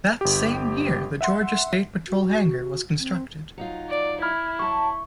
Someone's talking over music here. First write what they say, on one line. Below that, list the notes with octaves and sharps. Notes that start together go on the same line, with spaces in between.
That same year, the Georgia State Patrol Hangar was constructed.
G1 G4
E5 F#5 C6
F#4
C4
F#3 D#4 F4
D5
E4 B5 F6 G#6
F#3 A5 C#6